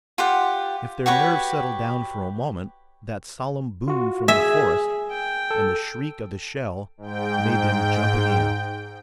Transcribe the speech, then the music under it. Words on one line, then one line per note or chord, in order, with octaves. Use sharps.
If their nerves settled down for a moment, that solemn boom from the forest and the shriek of the shell made them jump again.
F4 G4 F#5
F#4 G4 B4 C#5
F4 F#4
G#4 E5 G#5
G5
A4
G#2 G5